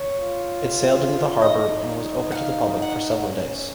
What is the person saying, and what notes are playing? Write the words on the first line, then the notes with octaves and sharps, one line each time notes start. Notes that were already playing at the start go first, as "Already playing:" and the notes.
It sailed into the harbour and was open to the public for several days.
Already playing: C#5
F4
D#4 D#5
F#5
F5
F#5
C#4